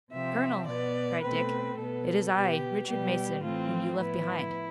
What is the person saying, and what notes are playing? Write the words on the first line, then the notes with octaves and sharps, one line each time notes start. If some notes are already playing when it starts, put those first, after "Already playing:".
"Colonel," cried Dick, "it is I, Richard Mason, whom you left behind!"
C3 F3 C4 E5
B2 B3 D5
B2 A3 C4 B4
B2 B3 A4
B2 B3 G4
B2 G3 B3 G4
A2 E3 A3 C4 F4
A2 F3 B3 E4